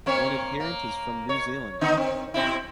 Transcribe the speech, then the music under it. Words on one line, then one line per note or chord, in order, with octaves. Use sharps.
One adherent is from New Zealand.
A#3 C4 C#5
A#3
C#5
D3 B3 D#4
C4
B2 C4 E4